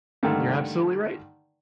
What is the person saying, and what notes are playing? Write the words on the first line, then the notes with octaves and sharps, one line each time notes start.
You're absolutely right,
G2 D3 D#3 A3 A#3